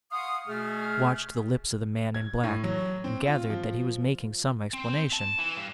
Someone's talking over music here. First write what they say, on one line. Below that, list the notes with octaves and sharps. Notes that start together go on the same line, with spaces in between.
He watched the lips of the man in black and gathered that he was making some explanation.
F5 F#5 C6 C#6 D#6
B2 A3 G#4 F6
G#6
A2
F#3
C4
F4
F3
C4
A5
E3
G2